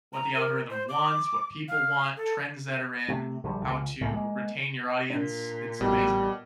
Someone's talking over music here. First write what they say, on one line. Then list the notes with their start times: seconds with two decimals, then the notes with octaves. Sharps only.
What the algorithm wants, what people want, trends that are in, how to retain your audience, it's amazing.
0.13 A#5
0.35 A#4
0.70 C5
0.89 D6
1.68 F5
2.17 A4
3.08 C3 A3
3.43 A#1 D3 D#3 G3
3.62 C#2 C#3
4.01 C#2 A2 C#3
4.13 G#3 A#3
5.10 A#2 D4
5.81 A1 B2 G3